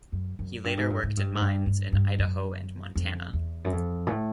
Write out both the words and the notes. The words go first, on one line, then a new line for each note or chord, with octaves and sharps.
He later worked in mines in Idaho and Montana.
F#2
F#2
G2
G#2
G2
G#2
G2
G#2
G2
G2
G2
F#2
F2
E2
F#2
F2
A#2
A2